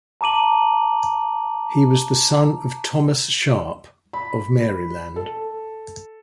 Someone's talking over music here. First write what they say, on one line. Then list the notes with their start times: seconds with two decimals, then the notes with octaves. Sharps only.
He was the son of Thomas Sharpe, of Maryland.
0.21 A5 A#5 D6 D#7 F#7
4.13 B5
5.16 A4